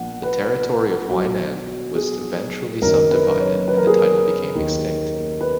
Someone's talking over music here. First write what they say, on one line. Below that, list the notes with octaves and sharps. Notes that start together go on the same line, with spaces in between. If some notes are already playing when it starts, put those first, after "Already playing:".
The territory of Huainan was eventually subdivided and the title became extinct.
Already playing: A#1 A#2 F#5
B4
B1 B2
G#4
F#1 F#2 D#3 A#4
B4
C#5
B4
A#4
G#4
A#4
D#2 D#3
B4